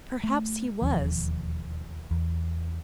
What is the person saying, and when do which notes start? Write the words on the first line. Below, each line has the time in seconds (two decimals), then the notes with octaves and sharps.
'Perhaps he was.
0.24 A3
0.82 E1 D#2 F3
2.11 E2